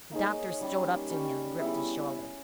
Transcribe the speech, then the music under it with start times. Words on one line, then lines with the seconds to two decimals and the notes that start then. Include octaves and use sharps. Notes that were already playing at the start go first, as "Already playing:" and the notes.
The doctor strode up to him and gripped his shoulder.
0.11 A#3 D#4 G#4 C#5
0.61 G3 C#4 G4
1.10 G3 C#4 G4
1.58 G3 B3 E4 G#4